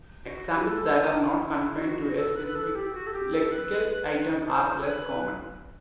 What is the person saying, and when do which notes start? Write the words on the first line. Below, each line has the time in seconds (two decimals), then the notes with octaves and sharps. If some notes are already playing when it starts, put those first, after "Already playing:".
Examples that are not confined to a specific lexical item are less common.
0.25 F#4
0.55 G4
0.63 A4
1.02 D4
1.40 E4
1.79 F#4
2.17 A4
2.36 B4
2.47 B4
2.55 A4
2.75 G4
2.90 G4
2.94 F#4
3.07 A4
3.13 G4
3.33 A4
3.52 B4
4.48 C5
4.79 A4
4.87 B4